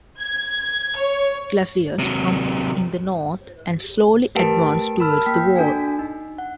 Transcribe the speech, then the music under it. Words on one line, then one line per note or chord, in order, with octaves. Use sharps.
Glaciers form in the north and slowly advance towards the wall.
G#6
C#5
C3 F#3
A3 G4 A#4 B4 A5 D7
A#4 A5 B5 E6 F6
A#3 G5 B6
D4 F#4 A4 G#5
D#4
F#5